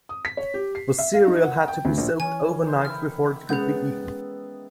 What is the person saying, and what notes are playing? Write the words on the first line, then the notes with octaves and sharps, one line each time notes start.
The cereal had to be soaked overnight before it could be eaten.
D#6
B6
C#5
G4
C7
E5
F5
D#4
F#5
G5
D2
A#1
E3 C#4 C#5 G#5
D#4 C5 E5
D#3 E4 F6
G#3 B3 C#4 G#4 A4 F#5 G6